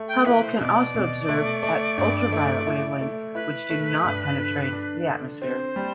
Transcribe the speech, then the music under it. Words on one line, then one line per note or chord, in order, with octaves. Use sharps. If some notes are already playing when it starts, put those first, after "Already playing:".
Hubble can also observe at ultraviolet wavelengths which do not penetrate the atmosphere.
Already playing: A3
G5
E4 B4
C5
B2 D5 E5
B2
A3
A3
G2
A3
E4
A3
E4 B4
A3
G2
D3
D4
D3
C4 C5
G3